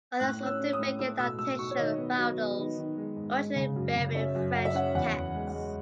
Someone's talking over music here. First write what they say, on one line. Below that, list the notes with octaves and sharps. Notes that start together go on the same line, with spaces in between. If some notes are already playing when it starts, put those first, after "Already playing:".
Others often make an adaptation of roundels originally bearing French texts.
A2 F#6
C#4
E6
C#4
D#6
A2
A3 E6
B2 E6
A3 E6
B2 C#6
C#5
D#3 D#5
B3
F#3
B3
D#3
D#3
G#3
G#2
G#3
C#3
F#2
C#3
C#4 E5
F#2
F#2 F#5
E5
C#4 F#5
E2 F#5
E2
G#3
F#5
G#3